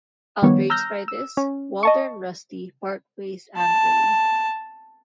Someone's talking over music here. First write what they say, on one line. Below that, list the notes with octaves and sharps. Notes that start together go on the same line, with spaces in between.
Outraged by this, Walter and Rusty part ways angrily.
D#3 F3 G3 B3 C#5
A#5 E6 F6 G6 A#6
E6
C#4
D#5 A5 C#6
A5